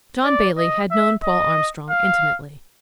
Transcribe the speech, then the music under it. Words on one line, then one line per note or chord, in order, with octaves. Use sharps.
John Bailey had known Paul Armstrong intimately.
D5
D#5
E5
D#5
F5